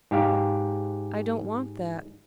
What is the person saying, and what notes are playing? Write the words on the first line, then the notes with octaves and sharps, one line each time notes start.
I don't want that.
G#2 G4 F5